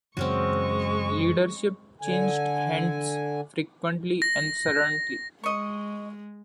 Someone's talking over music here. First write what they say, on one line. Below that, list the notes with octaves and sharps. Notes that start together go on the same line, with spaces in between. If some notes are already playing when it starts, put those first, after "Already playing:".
Leadership changed hands frequently and suddenly.
F#2 C#3 E3 G#3 C4 C#4 F#4 C#6
D3 G#5
A#6
G#3 D#5 C#6